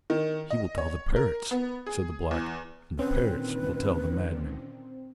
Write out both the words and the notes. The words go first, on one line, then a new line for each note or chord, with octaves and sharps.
"He will tell the parrots," said the black, "and the parrots will tell the madmen."
D#3
D#5
C#5
A#4
B3
G#4
E2
A#2 D3 D#3 C4 C#4 B4